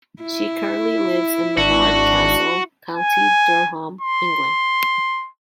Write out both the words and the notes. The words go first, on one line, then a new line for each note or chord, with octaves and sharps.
She currently lives in Barnard Castle, County Durham, England.
E4
G#1 D4 F#4
G#5
C6